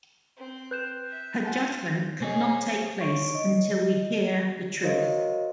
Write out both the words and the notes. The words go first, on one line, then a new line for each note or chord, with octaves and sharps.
Her judgment could not take place until we hear the truth.
C4
B4 F#6 G6 E7
E5
F4 F#5 G#5 A5
B2 G#4 C5 C#5 D#5 G#5
C#5 C#6 D7
D#5
F#4 A#4 C5 C#5 D#5 F5